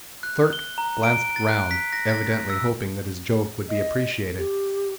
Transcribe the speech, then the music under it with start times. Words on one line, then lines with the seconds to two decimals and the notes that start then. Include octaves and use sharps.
The clerk glanced round, evidently hoping that his joke would be appreciated.
0.23 F#6
0.53 G7
0.78 A#5
1.03 D7
1.36 A6
1.49 F#6
1.71 B6
1.93 A#6
2.09 A6
2.27 A6
2.50 E6
3.69 D#5
4.38 G4